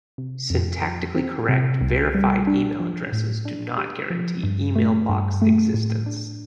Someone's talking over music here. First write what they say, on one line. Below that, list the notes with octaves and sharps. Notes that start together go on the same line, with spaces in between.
Syntactically correct, verified email addresses do not guarantee email box existence.
C3
F2
F3
C4
C3
C2
G3
D4
F3
A2
D4
G4
F3
G2
A3
G2
A3
A2
D4